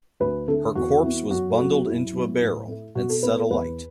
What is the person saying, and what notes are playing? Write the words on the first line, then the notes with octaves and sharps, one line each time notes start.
Her corpse was bundled into a barrel, and set alight.
D2 B4
D3 A3 A4
E2 F#4
E3 B3
F#2 F#4
A4
F#3 B3 F#4
F#2 E4
F#3 B3
A2
A3
B2 F#4
A4
B3 B4
A4
E2 B4